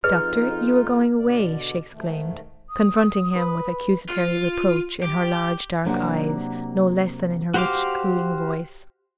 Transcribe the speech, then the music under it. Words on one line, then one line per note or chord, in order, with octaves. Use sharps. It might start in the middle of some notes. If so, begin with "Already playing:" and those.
"Doctor, you are going away," she exclaimed, confronting him with accusatory reproach in her large dark eyes no less than in her rich cooing voice.
F2 D#4 F4 G#4 B4 D#5 F6
B2 D3 D5
G#2 D#3 A3
D#6
B4
F4
G4
C3 F#3 A#3 D4 G4 F#5
F#4 G4 C5 F5 D6